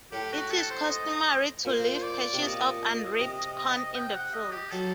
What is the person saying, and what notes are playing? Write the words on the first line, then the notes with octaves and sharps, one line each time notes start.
It is customary to leave patches of unreaped corn in the fields.
A2 G4
F#4
A4
C5
D#5
A#2 C5
C5
D5
C3
A#2 D#5
C3
G5
F#5
D#5
G4
F#3 A4